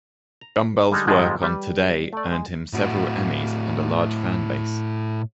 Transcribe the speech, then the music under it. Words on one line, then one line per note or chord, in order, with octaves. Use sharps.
Gumbel's work on "Today" earned him several Emmys and a large fanbase.
A#5
D3 G3 G#3 D#4
F2 G#2 D#3 F3 G3 G#3
G3 B4
A3 D5
G#3
A2 F#4